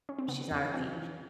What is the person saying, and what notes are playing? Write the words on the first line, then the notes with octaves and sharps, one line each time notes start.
she's not a thief.
C#4
C4
C#3 B3
F2
E3 C4
E3